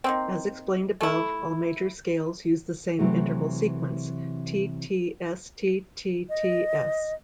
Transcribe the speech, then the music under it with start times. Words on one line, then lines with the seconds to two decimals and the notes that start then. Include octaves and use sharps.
As explained above, all major scales use the same interval sequence T-T-S-T-T-T-S.
0.04 D#3 A#3 C4
1.01 A3 E4
2.99 C3 E3 F#3 A3
6.29 D#5